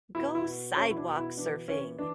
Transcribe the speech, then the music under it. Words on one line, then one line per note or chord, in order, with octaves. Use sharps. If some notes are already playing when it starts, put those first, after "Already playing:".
Go Sidewalk Surfing!
B2 E4
E4
B2
B2 C#4
E4
D4
B2
E4
E3 D4
E3 C#4
E3 D4